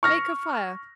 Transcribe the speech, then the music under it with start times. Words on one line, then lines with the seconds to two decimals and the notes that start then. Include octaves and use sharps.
Make a fire.
0.03 C#6 F6 A#6